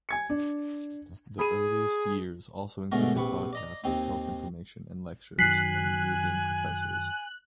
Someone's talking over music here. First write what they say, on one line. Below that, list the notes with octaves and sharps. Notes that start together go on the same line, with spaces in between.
The earliest years also included broadcasts of health information and lectures from visiting professors.
G#5 G#6 C#7
D4
G#4 B5 D#7
B2 D3 G#3 A3 A#4
A#1 C3 B4 C#6
D5 D#5 A#5
D#2 C4 D#4
F#2 D#3 F#3 G#5 F#6 B6 C7